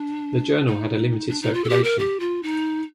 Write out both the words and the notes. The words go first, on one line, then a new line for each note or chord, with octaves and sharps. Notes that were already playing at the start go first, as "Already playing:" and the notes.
The journal had a limited circulation.
Already playing: D4
D#4
D4
D#4
F4
A4
G4
A#4
G4
F4
D#4